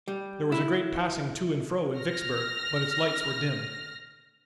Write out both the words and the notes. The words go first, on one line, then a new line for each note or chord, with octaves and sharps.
There was a great passing to and fro in Vicksburg, but its lights were dim.
G3
E4
F6 A#6